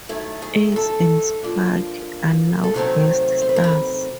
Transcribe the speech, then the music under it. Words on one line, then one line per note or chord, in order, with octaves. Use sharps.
Ace and Spike are now guest stars.
D#3 F#3 A3 E4
G#4
A#4
A4
F3 A#3 D4
A4
C3 D#3 F#3 A3 C4 A#4
C5
B4
A#4
B4